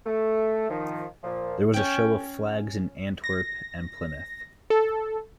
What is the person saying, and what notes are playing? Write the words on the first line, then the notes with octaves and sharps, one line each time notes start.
There was a show of flags in Antwerp and Plymouth.
A3
D#3 F3
A#2 F3
C#4 G5
A#6
A4